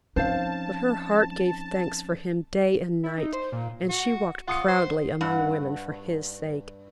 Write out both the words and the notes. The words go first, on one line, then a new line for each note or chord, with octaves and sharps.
But her heart gave thanks for him day and night; and she walked proudly among women for his sake.
F3 C4 C#4 D#4 C5 F5 A5
E4
D#4
C5
A#2
F#4
F4 F#5 D#6 C#7
C5
G2 F#5